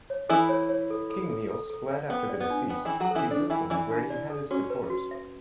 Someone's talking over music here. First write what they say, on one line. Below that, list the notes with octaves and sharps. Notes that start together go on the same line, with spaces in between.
King Niels fled after the defeat to Jutland where he had his support.
C#5
E3 E4 A4
C#5
C#5
A4
A4
A4
A4
A4
E5
B3 G5
D5
B3
D4
B3 G5
E3 E4 G5
F#3 F#4
E3 E4 A4
D4 A4
E3 E4 G5
E3 E4 D5
D4
D5
A4
C#4 F#4
B4
F#4
E5